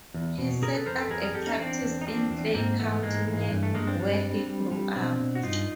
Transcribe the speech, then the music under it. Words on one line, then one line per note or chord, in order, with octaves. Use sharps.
He set up a practice in Clay County near where he grew up.
E2
B2
C#3 G#4 A#4
A4 B4
F2 A#4 C5
A4 B4
F2 G#4 A#4
G#4 A#4
F2 G4 A4
C#4 D#4
E2 C4 D4
E2
D#4
F3 C4 D4
E2
G#2 A#3 C4
E3 A3 B3
G#2 G#3 A#3
E3
G2
A3
G2 G#3 A#3
C4 D4
G3
G3
G3
G3
B2 C4 D4
B2
F#4
G2 D#4 F4